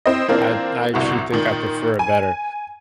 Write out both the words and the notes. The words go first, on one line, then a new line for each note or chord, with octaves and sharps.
I'd I actually think I prefer it better,
C4 E4 D#5
E3 A#3 C4 D4 F4
G1 C2 A2 F#4
A#2 D#3
G#5